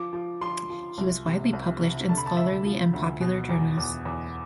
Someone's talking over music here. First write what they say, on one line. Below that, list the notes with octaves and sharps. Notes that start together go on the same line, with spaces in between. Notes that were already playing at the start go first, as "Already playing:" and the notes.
He was widely published in scholarly and popular journals.
Already playing: F3 D6
F3
F3 C6
F3
C2
C3
C2
C3
D3 A5
B5
A5
D2 E5
F3
D2
B2
E2
E2
E2